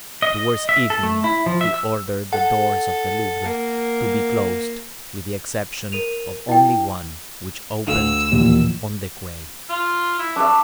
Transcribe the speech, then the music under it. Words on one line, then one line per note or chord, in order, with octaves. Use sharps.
Towards evening he ordered the doors of the Louvre to be closed, with the exception of only one, which opened on the quay.
D#5
D#5
E5
A4
A3
E4
F3
E5
E6
A4 F#5
A#3
A#4 D#7 F7
E4 G5
D2 F5 E6 F7
D#2 A#2 E3 F3
F4
E4
F#3 D4 E5